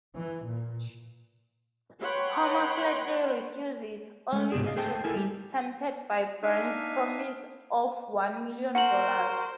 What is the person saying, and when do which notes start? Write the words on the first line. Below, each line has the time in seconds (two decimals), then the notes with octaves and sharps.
Homer flatly refuses, only to be tempted by Burns' promise of one million dollars.
0.16 E3
0.46 A#2
2.01 B4 C#5 F#5 G5 B5 C6
4.33 G#3 A3
4.52 G#2 C3 B3 G4 G#4
4.64 G#4 D#5 F5
4.76 A3 G#4 C5 G5 A5
5.04 E4 A4 A#4 G#5
5.16 G3 G4
6.43 D4 D#4 E5 F5 G#5
8.75 F#4 A#4 C5 F#5 F#7